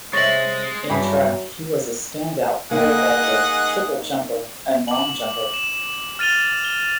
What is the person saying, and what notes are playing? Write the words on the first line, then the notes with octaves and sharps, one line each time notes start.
In track, he was a standout pole vaulter, triple jumper, and long jumper.
C3 G#3 C#5 E5 A6 A#6 F#7
G2 E3 F#3 G#4 E5 B5
A#3 D#4 G#4 D#5 F#5
D6 F#7
E7
F6 A6 D#7 F7 G7
G7